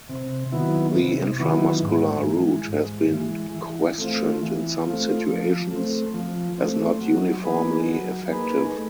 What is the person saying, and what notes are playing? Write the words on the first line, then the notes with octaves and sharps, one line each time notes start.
The intramuscular route has been questioned in some situations as not uniformly effective.
C3
D#3 F#3 B3 E4
C3
D#3 F#3 B3 E4
G#2
E3 G#3
G#2
E3 G#3
E3
A3 C4 F4
E3
A3 C4 F4
F3
A3 C4
F3
A3 C4
F#3
A#3 D#4 G#4 B4
F#3
A#3 D#4 G#4 B4
A3